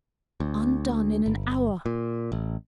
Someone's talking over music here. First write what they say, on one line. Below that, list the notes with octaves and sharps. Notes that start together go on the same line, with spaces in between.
Undone in an hour!
D2
G1
A#2
A1